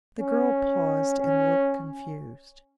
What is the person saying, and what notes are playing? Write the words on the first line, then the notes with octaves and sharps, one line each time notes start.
The girl paused, and looked confused.
C#4
C#4